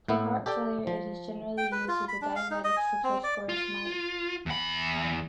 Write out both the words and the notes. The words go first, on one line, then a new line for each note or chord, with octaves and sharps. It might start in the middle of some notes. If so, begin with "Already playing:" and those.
For heart failure it is generally used with a diuretic such as furosemide.
A2 B3 E4
G4 A4 D5 G5
F3
G5
B4
F4
B5
D4
F5
D#4
D#5
G#5
C4
D5
F4
E2 B5